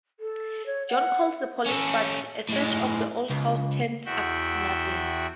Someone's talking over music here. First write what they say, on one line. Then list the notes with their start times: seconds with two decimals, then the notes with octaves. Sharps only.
John calls the police, but a search of the old house turns up nothing.
0.20 A4
0.66 C#5
0.89 F#5
1.66 C#4 A4
2.49 A2 G#3
3.30 C#2
4.06 E2 F#4 E5 G5 E6